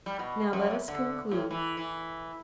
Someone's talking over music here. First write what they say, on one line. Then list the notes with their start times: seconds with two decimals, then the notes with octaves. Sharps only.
Now let us conclude.
0.06 G3
0.19 B2
0.53 F#2
0.88 D3
1.32 A2
1.51 E3
1.77 E3